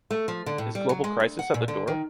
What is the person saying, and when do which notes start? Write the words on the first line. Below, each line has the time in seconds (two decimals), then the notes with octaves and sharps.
Is global crisis at the door?
0.11 A3
0.28 F3
0.46 D3
0.58 A2
0.75 G3
0.89 F#3
1.04 G#3
1.20 D2
1.39 F#5
1.54 A#2
1.68 D3
1.87 D#3